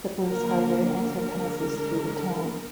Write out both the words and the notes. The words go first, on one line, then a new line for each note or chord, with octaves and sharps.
The Bruce Highway also passes through the town.
D3 F3 A#3 A#4
A#4
D3 G#3